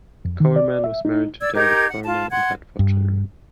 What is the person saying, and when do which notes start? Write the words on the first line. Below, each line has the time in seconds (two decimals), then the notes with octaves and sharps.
Coleman was married to David Coleman and had four children.
0.25 F2
0.40 D#3
0.56 D5
0.84 E5
1.05 D#4
1.40 D5 E6 G#6
1.55 D#4 G4 A#4 G#6
1.88 F#5
2.05 F4 A5
2.32 F#5 C6 G#6
2.79 G2